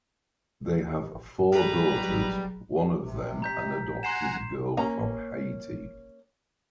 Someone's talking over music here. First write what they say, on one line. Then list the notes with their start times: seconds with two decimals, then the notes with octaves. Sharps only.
They have four daughters, one of them an adopted girl from Haiti.
1.52 G3 G#4 A4 B4 E5 F5 A#5
1.95 B2 F#3
3.02 C3
3.42 A#5 G6 B6
4.03 F#5 G#5 A#5 C6 C7 E7
4.77 A#3 C#4 A#5